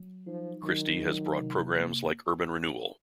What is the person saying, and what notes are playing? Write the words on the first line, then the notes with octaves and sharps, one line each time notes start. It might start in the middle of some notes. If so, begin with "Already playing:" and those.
Christie has brought programmes like Urban Renewal.
Already playing: F#3
F3 D#4
D#3 F#3
F#3
C3
A#3